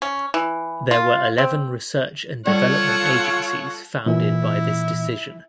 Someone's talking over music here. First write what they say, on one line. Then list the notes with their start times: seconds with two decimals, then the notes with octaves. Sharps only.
There were eleven research and development agencies founded by this Decision.
0.02 C#4
0.34 E3
0.91 F4
1.38 C4
2.46 G3 F4 A4 C#5 D5 F#5
4.06 A#2 E3 E4